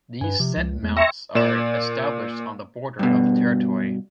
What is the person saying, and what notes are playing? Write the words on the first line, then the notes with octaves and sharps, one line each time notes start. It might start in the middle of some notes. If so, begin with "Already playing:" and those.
These scent mounts are established on the border of the territory.
G2 B4 G#5
C3 F3
C#2
E2 G#3 A3
E5 G5 A#5 C6 C#6 G#6
A#2 D5 E7
G2 B2